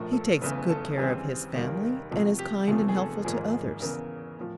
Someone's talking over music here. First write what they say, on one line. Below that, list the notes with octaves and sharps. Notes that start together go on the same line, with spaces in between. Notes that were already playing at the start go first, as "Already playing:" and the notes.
He takes good care of his family, and is kind and helpful to others.
Already playing: A#1 A2 F3 A3 A#4
A4
F#1 E2 C#3 E3 A3 B4
A4
D#2 C#3 E3 G3 C4 G#4
F1 D#2 D#3 G3 A#3
C2 C3 F3 A3
G4
F1 E2 C3 F3 A3 G#4
G#4
A4
G#1 G#2 F3 A#3 G#4
G#4
E2 C#3 E3 A#4
A2 F3